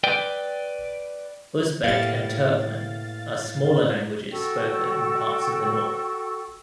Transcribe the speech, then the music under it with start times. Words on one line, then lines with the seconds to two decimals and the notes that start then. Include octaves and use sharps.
Uzbek and Turkmen are smaller languages spoken in parts of the north.
0.04 B4 D5 G5
1.84 A2 A#3 B3 G4 F5 A6
4.32 F#4 A4 G5 C#6